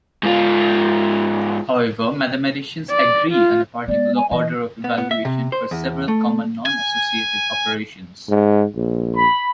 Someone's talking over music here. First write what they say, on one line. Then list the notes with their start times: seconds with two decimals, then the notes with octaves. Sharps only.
However, mathematicians agree on a particular order of evaluation for several common non-associative operations.
0.23 G#2 F4
2.91 D5
3.31 F4
3.88 G#3 B3 D5
4.16 G#5
4.31 E3 D#5
4.84 B3
4.98 B3
5.11 E5
5.25 C3
5.52 C5
5.71 E2
6.08 A3
6.66 G#5
8.30 G#2
8.76 A#1
9.15 B5